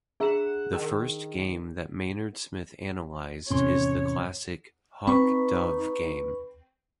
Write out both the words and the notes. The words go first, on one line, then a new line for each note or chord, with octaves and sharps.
The first game that Maynard Smith analysed is the classic Hawk Dove game.
D4 G#4 E5 F#5 A#5 E7
D#3 E6
E2 A2 C3 C#4 C#5 C6
C4 D#4 B4 B5 C#6